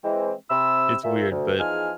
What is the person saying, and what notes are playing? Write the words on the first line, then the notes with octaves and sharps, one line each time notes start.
It's weird, but,
E3 G#3 C4
C3 B5 E6
A#2 E5
D2
E2 F3 D#4 G#4 G#5 F6